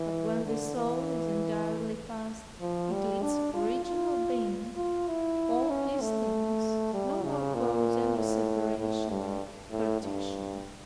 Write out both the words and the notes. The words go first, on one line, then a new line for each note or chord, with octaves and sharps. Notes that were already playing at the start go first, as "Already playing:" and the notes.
But when the soul is entirely passed into its original Being, all these things no more cause any separation or partition.
Already playing: E3
D3
E3
F3
G3
D4
F4
F4
F4
E4
C#4
A3
G3
C#3
A#2
A2
A2
G2
A2
G2